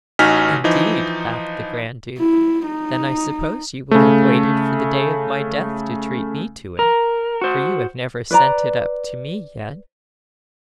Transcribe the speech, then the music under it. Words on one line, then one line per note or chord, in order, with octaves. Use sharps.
'Indeed,' laughed the grand duke; 'then I suppose you would have waited for the day of my death to treat me to it, for you have never sent it up to me yet.
A1 D#4 F#4 G#5 F6 B6
E3 F3 D#4
E4
D#4
C#3 A3
A#4
F#4 C5
B4 D5 A#5